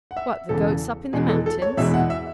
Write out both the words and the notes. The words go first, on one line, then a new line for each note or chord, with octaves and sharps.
"What, the goats up in the mountains?"
F#5
E5
E1 E2 C#3 A4
E2 B2 G#3 G#4
A4
A4
C#5
E2 B2 G#3 E5
F#5
E5